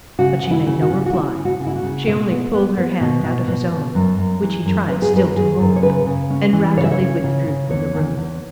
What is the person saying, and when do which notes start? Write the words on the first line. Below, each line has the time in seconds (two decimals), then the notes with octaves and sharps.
But she made no reply; she only pulled her hand out of his own, which he tried still to hold, and rapidly withdrew from the room.
0.19 C#3 F#4
0.43 C#3
0.51 E4
0.66 C#3
0.82 F#4
0.90 C#3
1.06 F#4
1.13 C#3 E4
1.37 C#3
1.45 F#4
1.60 C#3
1.66 E4
1.76 F#4
1.84 C#3
2.07 B2 E5
2.31 B3
2.54 B3
2.78 B3
3.01 B2
3.24 B2
3.48 B2
3.72 B2
3.95 F#2
4.18 F#2
4.42 E3
4.66 F#2
4.89 B3 B4
5.02 G#4
5.13 F#2 B4
5.36 F#2 G#4
5.60 F#2
5.76 C#5
5.82 C#3 B4
6.07 C#3
6.30 C#4
6.53 E3
6.77 C#3 C#5
6.84 E5
6.92 C#5
7.01 C#4
7.24 C#3
7.48 C#3
7.71 E2 C#5
7.95 E2
8.17 E2